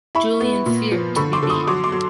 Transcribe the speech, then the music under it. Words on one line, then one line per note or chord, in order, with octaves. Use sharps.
Julien feared to be beaten.
E4 B5 C#6
B3
A#2
F3
D3 B5 C#6
C6 D6
D3
C#6 D#6
F#3 C6 D6
C6 D6
F#3